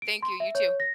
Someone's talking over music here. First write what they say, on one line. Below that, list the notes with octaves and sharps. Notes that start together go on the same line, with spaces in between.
Thank you. You too.
D7
C6
E5
C#5
A#6